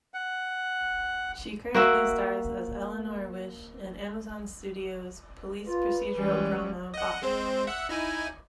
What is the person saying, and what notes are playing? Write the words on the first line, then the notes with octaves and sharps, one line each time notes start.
She currently stars as Eleanor Wish in Amazon Studios' police procedural drama "Bosch".
F#5
A#3 F#4 E5
F4 B4
C2 E3 G3 G#3 C#4
D#5 F#5
G#3 C4 C5
E5 F#5
D#4 E4 G#5